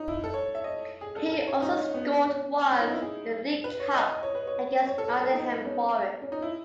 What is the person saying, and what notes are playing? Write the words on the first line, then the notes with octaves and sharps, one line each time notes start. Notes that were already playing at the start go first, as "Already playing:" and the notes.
He also scored once in the League Cup against Nottingham Forest.
Already playing: C#4 D#4
E4
A4
C#5
E5
D#5
G#4
A4
A4
C#5
D#4
C#4
B3
C#4
C#4
D#4
E4
G#4
B4
C#5
D#5
D#5
C#5
B4
C#5
C#5
A4
B4
A4
D#4
B3
C#4
C#4
D#4
E4